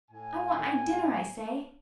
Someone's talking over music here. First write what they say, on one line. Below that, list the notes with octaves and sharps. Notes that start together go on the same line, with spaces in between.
"I want my dinner, I say."
A2 G#5